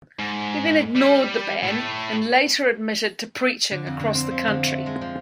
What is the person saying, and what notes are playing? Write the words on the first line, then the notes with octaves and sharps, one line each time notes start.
He then ignored the ban, and later admitted to preaching across the country.
G#2
G3
A2 A3
D3
F2
D3
C4
F3
D3
A3
G#3
F3